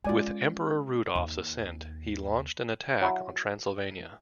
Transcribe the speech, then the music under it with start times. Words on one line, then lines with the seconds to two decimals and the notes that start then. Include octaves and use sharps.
With Emperor Rudolph's assent, he launched an attack on Transylvania.
0.04 G#3 C#4 F4 D5 G#5
1.15 D#2
3.02 F#3 E4